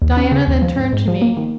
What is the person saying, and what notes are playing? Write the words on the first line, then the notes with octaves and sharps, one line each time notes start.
Diana then turned to me.
D#2
C#4
C#3
D#2
F3
G#2
G#2
F3
A#3
D#3